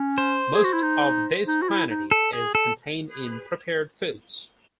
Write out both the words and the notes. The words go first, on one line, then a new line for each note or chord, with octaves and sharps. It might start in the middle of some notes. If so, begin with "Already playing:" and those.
Most of this quantity is contained in prepared foods.
Already playing: C#4
C5
G#4
F#4
E4
D#4
D#4
F#4
E4
D#4
A4
G#4
A4